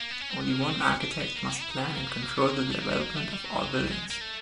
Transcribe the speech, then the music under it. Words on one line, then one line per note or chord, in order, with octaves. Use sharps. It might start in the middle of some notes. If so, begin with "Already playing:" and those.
Only one architect must plan and control the development of all buildings.
A#3
B3
C#4
C4
B3
A#3
B3
C4
C#4
D4
C#4
B3
A#3
A#3
E4
D#4
B3
A#3
B3
A#3
B3
A#3
A3
A#3
B3
A#3
A3
G3
F#3
F#3
G3
G#3
A#3
A3